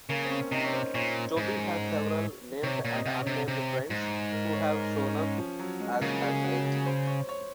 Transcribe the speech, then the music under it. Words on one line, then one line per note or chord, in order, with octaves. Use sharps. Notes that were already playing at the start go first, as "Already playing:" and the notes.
Toby has several named and unnamed friends who've shown up, as has Eddie.
C#3 A#3
C4
C#4
C3 D#4
C#5
C5
A#2 C#5
G#2
C3 C#5
A#2
D#5
C3
C#5
C3
C3
G#2
A#4
C#5
A#4
C#4
C#4
F3
F#3
G#3
C#3 A#3
G#4
F#4
G#4
C5
C#5
C#5